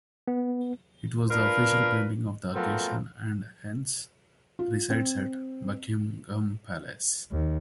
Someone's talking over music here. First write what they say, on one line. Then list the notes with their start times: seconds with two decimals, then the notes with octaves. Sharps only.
It was the official painting of the occasion and, hence, resides at Buckingham Palace.
0.28 B3
1.30 A#3 D4 F4 A#4 B4
2.54 F#2 F3 A3 B3 C4 A#4
4.59 F4
4.90 C4
7.31 D#2